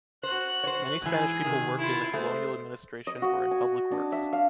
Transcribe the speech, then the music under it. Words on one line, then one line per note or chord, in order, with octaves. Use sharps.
Many Spanish people worked in the colonial administration or in public works.
F#4 C5 F#6
C5 C#5
G#2 E3 G#4
C3 D#3
E4 F4
G#3 A3 C5
D#5
F#4
G#5
D4
E5
F5